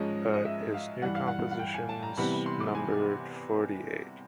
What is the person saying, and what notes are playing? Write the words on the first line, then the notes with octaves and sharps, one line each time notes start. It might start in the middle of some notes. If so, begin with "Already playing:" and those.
But his new compositions numbered forty-eight.
Already playing: G#2 F3 G#3 C#4 D#5
D#5
E5
F5
G2 E3 G3 F#5
F5
F#5
F#5
G5
G#5
A5
A#5
C3 E3 G3 B3 B5
B5
C6
D6
G#5